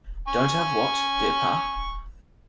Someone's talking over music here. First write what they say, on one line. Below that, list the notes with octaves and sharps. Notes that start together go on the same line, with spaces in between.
Don't have what, dear Pa?
G#5 C#6